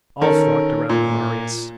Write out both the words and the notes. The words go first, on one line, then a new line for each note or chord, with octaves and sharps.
All flocked around Marius.
D#3 C#4 A4 A#4
A#2